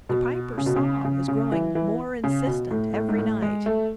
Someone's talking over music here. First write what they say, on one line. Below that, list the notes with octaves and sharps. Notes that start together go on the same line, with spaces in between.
The Piper's song is growing more insistent every night.
B2
C#3
B2
C#3
C#3
C#3
E3
E3
C#3
B2
A2
A2
G#2
A2
G#3
A3